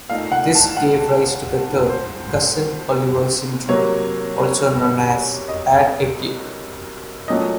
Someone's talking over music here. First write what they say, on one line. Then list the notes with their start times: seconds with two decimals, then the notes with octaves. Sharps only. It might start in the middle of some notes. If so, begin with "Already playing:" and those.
This gave rise to the term "Cousin Oliver Syndrome", also known as "add-a-kid".
0.09 A#2 A3 D#4 F5
0.32 F#5
0.55 A5
0.77 F#5
1.89 C5
3.69 C3 F#3 A#3 C#5
5.48 D#5
7.28 A#2 F#3 A3 C#4 D#5